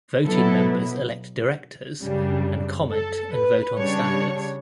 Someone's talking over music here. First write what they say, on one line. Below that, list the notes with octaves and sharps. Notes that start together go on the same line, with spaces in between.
Voting members elect Directors and comment and vote on standards.
B2 F#3 B3 E4 A4
F#2 C#3 G3 D4
A4
B4
C#3 G3 D4 C#5